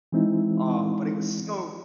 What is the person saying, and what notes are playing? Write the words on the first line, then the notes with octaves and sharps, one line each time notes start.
um, but it was so
E3 G#3 C4 D#4 E4